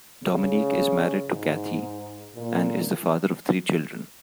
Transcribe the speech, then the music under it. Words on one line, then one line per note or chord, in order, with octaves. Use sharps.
Dominic is married to Cathie and is the father of three children.
C#3
G#2
A#2